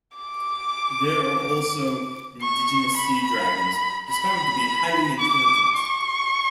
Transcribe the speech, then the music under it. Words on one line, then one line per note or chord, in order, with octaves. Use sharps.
There are also indigenous sea dragons, discovered to be highly intelligent.
D6
C#6
B5
B5
D6
C#6